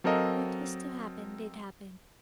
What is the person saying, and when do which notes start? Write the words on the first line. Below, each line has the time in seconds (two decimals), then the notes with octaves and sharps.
What was to happen did happen.
0.04 F#3 C4 A4 A#4 D#5 F5